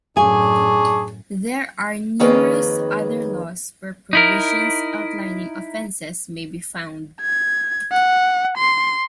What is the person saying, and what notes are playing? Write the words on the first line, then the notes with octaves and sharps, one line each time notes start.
There are numerous other laws where provisions outlining offences may be found.
F#2 A2 D4 G#4 G#5 C#6
F2 D#3 A#3 C#4 G#4 B4
D#4 E4 A#4
G#6
F#5
C6